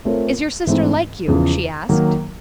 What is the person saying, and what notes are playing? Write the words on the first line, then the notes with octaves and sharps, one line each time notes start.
"Is your sister like you?" she asked.
A3 C4 F4 A#4 C#5
G#2 E3 A3 C4 D#4
E2 C#3 F3
D#3 F#3 A#3